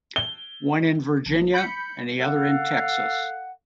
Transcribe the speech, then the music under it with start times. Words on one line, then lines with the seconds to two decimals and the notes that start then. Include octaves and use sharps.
One in Virginia and the other in Texas.
0.16 G7
1.26 A#1
1.54 B5 G6 B6 C#7
2.19 A4 F5 F#5